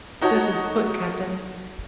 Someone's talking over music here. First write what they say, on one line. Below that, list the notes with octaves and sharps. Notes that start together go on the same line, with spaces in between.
This put Cpt.
D#4 F#4 C#5 D#5 A5